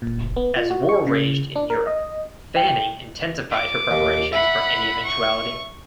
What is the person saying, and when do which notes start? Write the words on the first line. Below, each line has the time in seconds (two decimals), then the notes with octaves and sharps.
As war raged in Europe, "Fanning" intensified her preparations for any eventuality.
0.02 A#2
0.36 B3
0.57 F4
0.70 F#4
0.89 C#6
1.07 C#3
1.56 D4
1.70 A#4
1.87 D#5
2.56 G5
3.51 D6
3.91 D#2
4.33 E4 F#5 B5
5.05 C#6